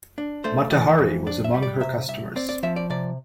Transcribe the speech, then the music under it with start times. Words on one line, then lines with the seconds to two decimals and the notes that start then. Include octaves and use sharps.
Mata Hari was among her customers.
0.18 D4
0.44 A3 C5
0.72 E3 D5
0.99 F2
1.27 D4 D5
1.44 E5
1.54 G3
1.63 D5
1.80 C3 E5
2.08 C2 E5
2.36 C4 D5
2.49 D5
2.63 F3 E5
2.76 D5
2.90 C3 D5